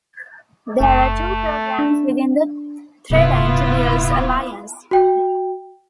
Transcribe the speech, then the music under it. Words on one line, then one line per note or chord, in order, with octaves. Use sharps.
There are two programs within the Thrivent Builds alliance.
F#1 A3
D4
D#1 G2 C3 B3 E4 F4
F#4 G5